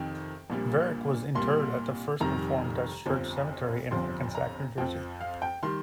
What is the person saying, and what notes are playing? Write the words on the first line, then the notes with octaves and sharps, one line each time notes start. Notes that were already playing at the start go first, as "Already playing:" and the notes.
Varick was interred at the First Reformed Dutch Church Cemetery in Hackensack, New Jersey.
Already playing: F2 C3 D#3 G5
A#1 A#2 G3
C2 A#2 G3 C6
F1 F2 D#3 G3 A#5
G1 F2 F3
G1 F2 F3 C6
A#5
F2 F3 G5
F5
G5
D#3 G3 C6